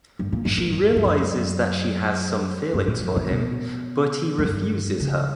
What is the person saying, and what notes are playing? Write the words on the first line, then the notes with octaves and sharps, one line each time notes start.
She realizes that she has some feelings for him but he refuses her.
G2
A#2
G2
A#2
G2
G2
F#2
G2
A#2
F#2
A#2
B2
F#2
G2
C#3